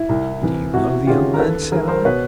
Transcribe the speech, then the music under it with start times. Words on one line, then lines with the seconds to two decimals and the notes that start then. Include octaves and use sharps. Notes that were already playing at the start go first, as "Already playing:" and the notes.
"Do you know the young man?" said I.
Already playing: E4
0.09 C2
0.41 C3 E3
0.74 C3 E4 F#4
1.07 D#3 G#3 C#4 F4 G4
1.34 A#4
1.39 D#2 A4 B4
1.72 D#3 G#3 G#4 A#4
1.88 A#4 C5
2.05 B2 B4 C#5